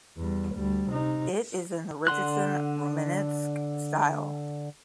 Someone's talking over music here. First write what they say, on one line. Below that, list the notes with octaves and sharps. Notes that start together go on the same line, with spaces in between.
It is in the Richardson Romanesque style.
E2 G3
D2 G3
C3 D#4
D3 F#5 C6 F#6